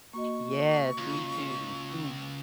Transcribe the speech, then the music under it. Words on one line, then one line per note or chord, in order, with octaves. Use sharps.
Yes, me too. Mm.
A#3 F#4 D#5 C#6
C#2 F4